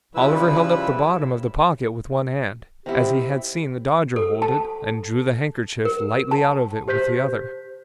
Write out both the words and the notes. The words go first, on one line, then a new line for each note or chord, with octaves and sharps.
Oliver held up the bottom of the pocket with one hand, as he had seen the Dodger hold it, and drew the handkerchief lightly out of it with the other.
C#3 F3 G3 E4 B4 E6
D#3 B3 C4 E4 G4
A4
A5
A#4
A5
G4 C5 G6 B6